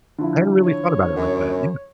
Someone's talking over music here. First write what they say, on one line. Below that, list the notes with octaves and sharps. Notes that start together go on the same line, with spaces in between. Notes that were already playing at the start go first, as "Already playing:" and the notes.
I hadn't really thought about it like that. Yeah.
D3 F3 E4
C#5
F#2